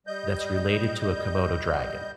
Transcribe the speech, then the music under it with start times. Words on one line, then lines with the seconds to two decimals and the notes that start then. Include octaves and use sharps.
that's related to a Komodo dragon.
0.07 G3 D#5 G6